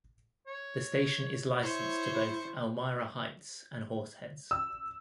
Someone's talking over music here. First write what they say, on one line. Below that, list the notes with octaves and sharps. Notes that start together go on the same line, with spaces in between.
The station is licensed to both Elmira Heights and Horseheads.
C#5
E4 C5 C#5 C#6
E6